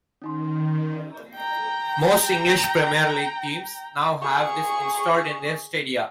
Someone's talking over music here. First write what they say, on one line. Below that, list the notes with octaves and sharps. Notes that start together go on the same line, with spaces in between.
Most English Premier League teams now have this installed in their stadia.
D#3 C#4 D#4 C6
G5 A#5
G#4 C#6